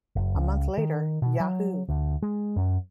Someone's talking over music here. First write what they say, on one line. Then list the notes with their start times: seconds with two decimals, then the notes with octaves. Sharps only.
A month later, Yahoo!
0.16 F#1
0.35 C#2
0.78 D#3
1.22 B2
1.40 F#3
1.89 D2
2.22 G#3
2.56 F#2